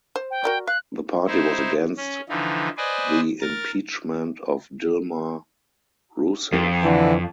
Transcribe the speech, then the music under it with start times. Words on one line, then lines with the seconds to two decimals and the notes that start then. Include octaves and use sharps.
The party was against the Impeachment of Dilma Rousseff.
0.16 C5
0.31 G5
0.44 F#4 A#4 D5
0.67 F5 F#6
1.27 D#4 E4 C5
1.97 C#4
2.29 D3 E3 F3 D#4
2.77 B4 C5 D5 D#5 G#5
3.41 A#4 A6
6.52 F2
6.84 D3 E3